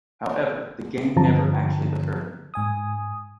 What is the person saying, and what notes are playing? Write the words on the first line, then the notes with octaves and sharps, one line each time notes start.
However, the game never actually occurred.
G2 D3 F3 A5 A#5
G#2 G#5 D#6